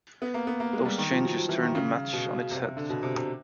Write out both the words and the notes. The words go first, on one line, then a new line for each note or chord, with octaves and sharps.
Those changes turned the match on its head.
B3
A#3
B3
A#3
G#3
G3
D#3
F3
F#3
F3
E3
D#3
C#3
B2
C3
C3
D3
B2
C3
C3